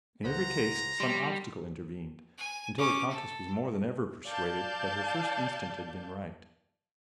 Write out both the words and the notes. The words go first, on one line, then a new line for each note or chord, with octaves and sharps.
In every case some obstacle intervened, until the Countess was more than ever persuaded that her first instinct had been right.
C#2 C5 F#5 A#5
G3 C6
G#5
C#4 D6
A4
D5 F5 A5 G6